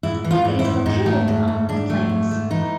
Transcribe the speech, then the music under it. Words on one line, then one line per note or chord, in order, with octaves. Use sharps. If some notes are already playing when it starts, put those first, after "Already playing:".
It is located on the plains.
G#2 E4
E3
F4
G#2
E4
G#2
G#2 D#4
A3
G#2
G#2
G#2 D4
A3
G#2
A3
E3 D#4